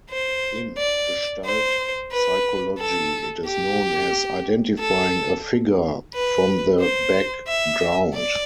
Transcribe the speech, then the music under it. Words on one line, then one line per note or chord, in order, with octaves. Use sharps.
In Gestalt psychology it is known as identifying a "figure" from the back"ground".
C5
D5
C5
B4
A4
G4
A4
B4
C5
E5
D5